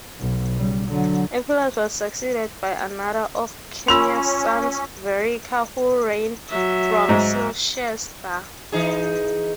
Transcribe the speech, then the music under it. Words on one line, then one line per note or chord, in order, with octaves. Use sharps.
Eppillus was succeeded by another of Commius' sons, Verica, who reigned from Silchester.
B1
C#3 G3
D3 F#3
C#4 F4 C6 E6 F7
F#3 E5
G#2
E3 D#4 G#4